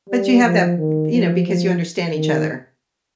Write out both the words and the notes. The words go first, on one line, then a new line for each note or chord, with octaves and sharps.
But you have that th you know, because you understand each other
G3
F3
D#3
F3
F3
D#3